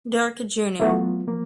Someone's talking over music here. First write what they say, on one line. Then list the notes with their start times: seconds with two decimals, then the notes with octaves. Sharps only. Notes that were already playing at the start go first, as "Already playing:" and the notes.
Durkee Jr.
0.80 E3 F#3 A3 B3 F4 F#4
1.27 F3 A#3